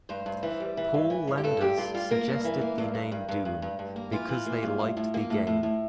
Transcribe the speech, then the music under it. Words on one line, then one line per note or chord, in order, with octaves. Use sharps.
Paul Landers suggested the name "Doom" because they liked the game.
G2 C5
G2
E3
G3
E3
G2
E3
G2
G4
G2 A4
G2 G4
G2 F4
G3 F4
A#3 A#4
G2
E3
A#3
G2
G2
G2
G2
G2
G2
G2
A#3
E3 F4
E3
A#3
G2
A2
A2
A#3
A2
A2
A2